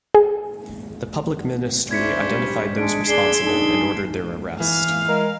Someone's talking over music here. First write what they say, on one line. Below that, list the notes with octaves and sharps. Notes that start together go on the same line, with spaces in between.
The Public Ministry identified those responsible and ordered their arrest.
G#4
C#4 D4 E4 C5 G#6 B6 C#7
G3
G#3 D4 D7
D4 G#4 C6 E6 G#6 C7 G7
D4 D#4 G#4
E3 F5
G#3 A#4